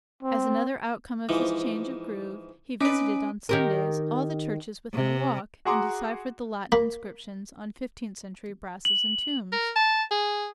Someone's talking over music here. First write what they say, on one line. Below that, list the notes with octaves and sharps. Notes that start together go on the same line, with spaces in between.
As another outcome of this change of groove he visited on Sundays all the churches within a walk, and deciphered the Latin inscriptions on fifteenth-century brasses and tombs.
C4
G#2 E3 F3
C#4 D#4 B4 D7
D#3 G4 A#4
C3
F#4 G#4 F#5 A#5 C6 D6
A#3 B5
F#7
A#4
A5
G#4